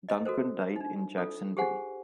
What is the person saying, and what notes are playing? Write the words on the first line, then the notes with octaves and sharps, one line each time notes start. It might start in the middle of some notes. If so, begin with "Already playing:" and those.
Duncan died in Jacksonville.
D#5
F#4 A4 A#4 C5
D4 D#4
F4 A4
G4 G#4 C5 F#5 G#5